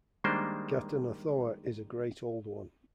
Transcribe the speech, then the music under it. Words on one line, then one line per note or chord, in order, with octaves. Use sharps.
Ghatanothoa is a Great Old One.
D#3 G3 G#3 A#3 D4 C5